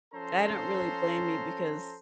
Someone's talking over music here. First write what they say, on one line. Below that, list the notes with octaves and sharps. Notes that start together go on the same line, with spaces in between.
I don't really blame you because,
F3 C#4 A4 C5 A#5 C6